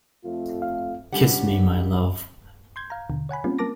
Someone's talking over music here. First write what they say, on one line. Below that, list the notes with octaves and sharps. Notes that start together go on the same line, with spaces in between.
Kiss me, my love.
F2 A3 F4
F5
G3 C#4 D4 G4 F#5
C6 G6 G#6
F5 A#5
D#2 B2 D3
C#5 F#5 G#5 B5
G3 A#3 C4 C#4 F4
G3 A#3 A#4 A5 D6 A#6